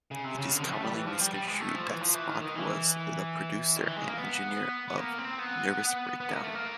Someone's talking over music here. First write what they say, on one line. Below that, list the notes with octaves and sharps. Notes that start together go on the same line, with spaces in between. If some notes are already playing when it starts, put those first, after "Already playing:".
It is commonly misconstrued that Spot was the producer and engineer of "Nervous Breakdown".
C#3
C3
C#3
D3
D#3
A3
G3
E3
F3
G3
G3
G#3
A3
F3
E3
F3
E3
D#3
D#3
E3
D#3
E3
G#3
A#3
B3
B3
A#3
C4
B3
B3
A#3
A3
A#3